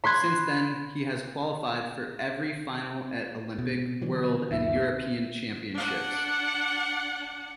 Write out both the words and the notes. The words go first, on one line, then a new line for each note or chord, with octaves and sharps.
Since then he has qualified for every final at Olympic, World and European Championships.
B5 C6 F#6 G#6
B2
D3 E3 F#3
C#2 F#2 D#3 E5
D4 F#5